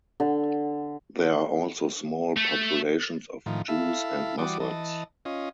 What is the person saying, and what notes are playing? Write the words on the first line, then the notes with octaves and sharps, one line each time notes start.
There are also small populations of Jews and Muslims.
D3
A3
A2 D#3 F3
E4 A4 E5 F5
E3 G3 F#4 D5 D6 D#6
E3 D#5 A5
C#4 F4 D#5